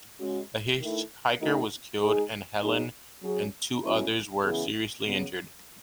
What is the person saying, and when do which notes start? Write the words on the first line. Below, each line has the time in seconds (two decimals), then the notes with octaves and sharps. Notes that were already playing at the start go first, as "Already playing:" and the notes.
A hitchhiker was killed, and Helen and two others were seriously injured.
0.19 C#3 G#3 C#4 F#4
0.80 D#3 A3 E4
1.40 D#3 A3 D#4 F#4
2.01 G#3 D#4 G#4
2.62 F#3 B3 D#4 G#4
3.22 F#3 C#4 G#4
3.83 B2 F#3 A3 C#4 E4
4.43 C#3 E3 B3 E4 G#4
5.05 C#3 F#3 B3